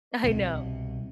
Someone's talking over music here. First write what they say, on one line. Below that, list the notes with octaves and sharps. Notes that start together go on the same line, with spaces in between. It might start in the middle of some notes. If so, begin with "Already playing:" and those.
I know.
C2 B2